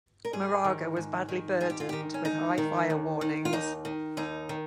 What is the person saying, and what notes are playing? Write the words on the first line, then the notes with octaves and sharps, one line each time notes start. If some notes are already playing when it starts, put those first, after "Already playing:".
Moraga was badly burdened, with high fire warnings.
A#4
G#2 G#4
D#3
G#2
D#3
G#2 G#4
G4
F4
D#3 G4
C#4
G#2 D#4
D#3
D#2
D#3
F4
D#2 D#4
D#3
D#2 D#4
D#3